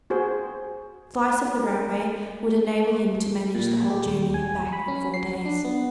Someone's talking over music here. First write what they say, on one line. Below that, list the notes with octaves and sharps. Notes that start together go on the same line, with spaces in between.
A slice of the railway would enable him to manage the whole journey and back in four days.
F#4 G#4 C5
A#4
A#2
G4
D#2
G#5
B5
C#4
C7
D4
B3